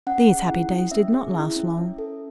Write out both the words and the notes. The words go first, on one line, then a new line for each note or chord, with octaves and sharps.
These happy days did not last long.
C#4 F#5
G#4
E4
C#4
C#4 E5
G#4
E4
C#4
C#4
A4